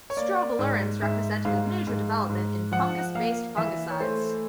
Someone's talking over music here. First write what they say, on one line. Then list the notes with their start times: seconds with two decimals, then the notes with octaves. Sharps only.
Strobilurins represented a major development in fungus-based fungicides.
0.10 C#5
0.17 A#3 D5
0.59 G#2
1.02 G#2 E5
1.45 G#2 F5
1.87 G#2
2.29 G#2
2.72 F3 F#5
3.15 A#3 F5
3.57 E3 E5
3.91 C#5
4.00 A3 C5